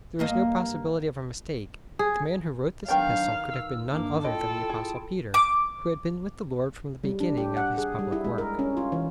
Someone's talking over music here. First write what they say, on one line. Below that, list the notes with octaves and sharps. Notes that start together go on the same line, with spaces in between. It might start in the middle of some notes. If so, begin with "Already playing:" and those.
There is no possibility of a mistake; the man who wrote this Epistle could have been none other than the Apostle Peter who had been with the Lord from the beginning of His public work.
G2 A#3 D#5
G#4
D#3 F#3 B3 D4 F5 G5 G6
E6
G2 A#3 D4 D6
E4 F4 A4 D#5 G5
G#4
D6
G3
D4
G4
F#5
G#4
G3
E4
G#3
A#4
C#4
F4
E3